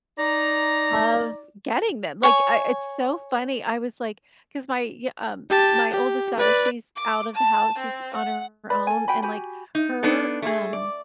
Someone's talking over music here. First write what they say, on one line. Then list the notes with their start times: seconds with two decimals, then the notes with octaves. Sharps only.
love getting them. Like, I it's so funny. I was like 'cause my y um, my oldest daughter, she's out of the house, she's on her own, and, like, her, um,
0.19 D#4 D5 A#5
2.23 C#5 G#5
5.50 G4 A5
5.91 G4
6.37 B4 D5
6.96 D6
7.35 A5
7.78 C4
8.15 F#5
8.70 B4 D5 B5
8.87 A4 G#5
9.08 F#4 G5 G#5 B5
9.22 F#4 G4 G#5 B5
9.75 D#4
10.03 B3 D4 D#4 A4
10.42 A3 G#4
10.73 D5